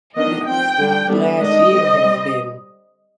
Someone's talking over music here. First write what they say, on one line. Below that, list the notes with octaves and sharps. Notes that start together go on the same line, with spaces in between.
this last year has been
D#3 B3 D4 D#5
F3 C4 G5
D3 G3 D4
D3 G3 B3 D4
D#3 G#3 D4 D#5
D3 G3 C4
G3 C4